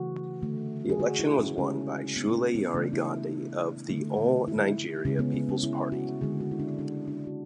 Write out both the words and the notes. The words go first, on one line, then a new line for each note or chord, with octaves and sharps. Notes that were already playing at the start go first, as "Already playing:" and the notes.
The election was won by Sule Yari Gandi of the All Nigeria Peoples Party.
Already playing: C#3 E3 A3 F#4
D3 A3
G#4
F#4
E4
C#4
C#3 G#3 C#4
B3
C#4
B3
C#3 E3 A3 D4
E4
D3 A3
E4
C#3 G#3 C#4
B3
B3
C#4
E4
F#4
D3 G#3 G#4
F#4
E4
D4
D4
D4
F#4